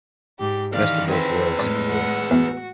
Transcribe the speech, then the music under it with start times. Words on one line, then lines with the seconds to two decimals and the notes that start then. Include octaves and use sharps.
Best of both worlds, if you will.
0.40 G#2 G4
0.74 C#2 D#3 E3 D5 F5
1.08 C4 G#4 B4
1.59 A2 G#3 D5 B5
1.90 F#5
2.31 E2 F#4